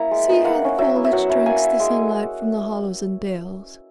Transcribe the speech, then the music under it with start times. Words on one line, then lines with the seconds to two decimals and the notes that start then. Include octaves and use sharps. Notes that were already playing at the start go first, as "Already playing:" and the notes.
"See how the foliage drinks the sunlight from the hollows and dells."
Already playing: A#3 C#4 E4 A#5
0.11 G#3
0.28 B3 D#4
0.45 A#3 F#5
0.62 C#4 E4
0.78 F#3 E5
0.95 B3 E4
1.05 E5
1.12 F#3 F#5
1.29 C#4 E4
1.46 A#3 G#5
1.63 E4
1.80 G#3